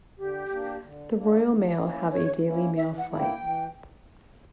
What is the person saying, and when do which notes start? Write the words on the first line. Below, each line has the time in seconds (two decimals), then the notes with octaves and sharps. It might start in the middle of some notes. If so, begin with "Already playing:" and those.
The Royal Mail have a daily mail flight.
0.18 D3 G4
0.51 A#3 D4
0.83 D3
1.15 A#3 D4
1.47 E3
1.80 A#3 C#4 E4
2.12 E3 C#5
2.44 A#3 C#4 E4
2.76 E3 E5
2.98 F#5
3.08 A#3 E4
3.19 G5
3.41 E3